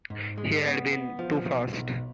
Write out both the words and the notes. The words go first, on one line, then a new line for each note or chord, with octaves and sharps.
He had been too fast.
G#2
G#3
B3
B3
F3
B1
B1